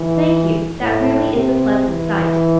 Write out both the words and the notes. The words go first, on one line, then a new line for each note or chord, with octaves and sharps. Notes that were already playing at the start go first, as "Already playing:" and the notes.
Thank you, that really is a pleasant sight.
Already playing: E3
A2
C3
E3